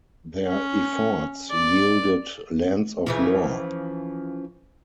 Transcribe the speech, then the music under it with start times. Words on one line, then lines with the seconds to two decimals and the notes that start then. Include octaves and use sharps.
Their efforts yielded "Lands of Lore".
0.46 C#4
1.51 D5
3.07 C#3 E3 F3